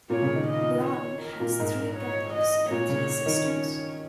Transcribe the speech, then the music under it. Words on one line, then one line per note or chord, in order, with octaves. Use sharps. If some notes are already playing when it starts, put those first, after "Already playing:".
Brown has three brothers and three sisters.
A#2 C#5
C#3
D#3
D#5
C#5
A#4
A#2
G#2
C#5
D#5
A#2 C#5
C#3
D#3
C#4